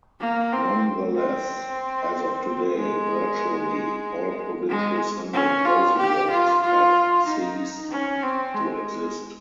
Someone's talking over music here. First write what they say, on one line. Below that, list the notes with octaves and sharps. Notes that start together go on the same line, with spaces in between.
Nonetheless, as of today, virtually all provincial Sunday Closing laws have ceased to exist.
A#3
C4
C4
G#3
G#3
C#4
F4
G4
F4
F4
D#4
C#4
C4
G#3